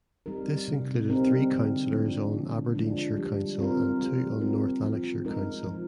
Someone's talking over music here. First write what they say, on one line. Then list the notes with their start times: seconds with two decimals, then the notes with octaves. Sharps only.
This included three councillors on Aberdeenshire Council and two on North Lanarkshire Council.
0.26 G3 C4 D#4 A#4
0.68 C3
1.10 G3 C4 D#4 A#4
1.51 D3
1.92 F3 G#3 D4
2.34 D3
2.75 F3 G#3 D4
3.17 G3
3.59 C4 F4 A#4
4.00 G3
4.41 C4 F4 A#4
4.82 F3
5.25 G#3 D#4 A#4
5.66 F3